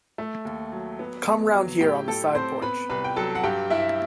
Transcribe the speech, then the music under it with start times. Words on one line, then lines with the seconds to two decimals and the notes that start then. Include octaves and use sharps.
Come round here on the side-porch.
0.18 A3
0.45 D#2
0.72 F#3
0.99 B3
1.26 E2
1.54 F#3
1.81 A2 G4 G5
2.08 A2 A4 A5
2.35 C4 C5 C6
2.62 B3 B4 B5
2.90 C2 B4 B5
3.04 G5
3.16 F#3 A4 A5
3.35 F#5
3.43 G2 G4 G5
3.70 G2 E4 E5